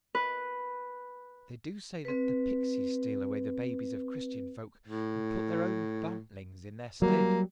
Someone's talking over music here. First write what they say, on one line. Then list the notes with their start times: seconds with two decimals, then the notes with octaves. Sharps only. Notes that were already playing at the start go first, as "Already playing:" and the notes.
They do say that the pixies steal away the babies of Christian folk, and put their own bantlings in their stead.
0.15 B4
2.05 C4 B4
4.87 A2
7.02 F#3 G3 A#3